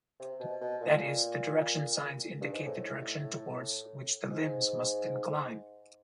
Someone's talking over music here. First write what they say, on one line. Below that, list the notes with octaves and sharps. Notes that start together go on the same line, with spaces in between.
That is, "the direction signs indicate the direction towards which the limbs must incline".
C3
B2
B2
A#2
G2
G#2
A2
G#2